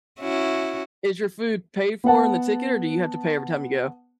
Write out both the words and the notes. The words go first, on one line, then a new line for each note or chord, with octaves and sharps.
Is your food paid for in the ticket, or do you have to pay every time you go?
C#4 E4 F#4
B3 B4 F#5 A5